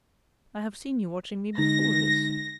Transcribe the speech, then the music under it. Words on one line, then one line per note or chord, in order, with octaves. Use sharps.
'I have seen you watching me before this.'
D3 G#3 D#4 A#6